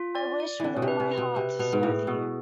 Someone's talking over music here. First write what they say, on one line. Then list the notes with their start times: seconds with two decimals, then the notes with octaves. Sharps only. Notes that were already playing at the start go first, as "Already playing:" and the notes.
I wish with all my heart to serve you.
Already playing: F4
0.15 D5
0.40 D5
0.60 D3 E3 C4
0.76 B2
0.82 C3
0.88 B4
1.00 C3
1.12 B4
1.18 B2
1.35 C3 B4
1.59 B2 B4
1.73 G#2
1.83 A2 G#4
2.07 B2 B3